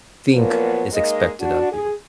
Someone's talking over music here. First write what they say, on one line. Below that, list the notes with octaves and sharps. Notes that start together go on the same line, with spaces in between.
think is expected of you.
A#2 F3 F#3 A#3 B3 A#4
G#3 A#3 D#4 D#5
D4 F#4
G#4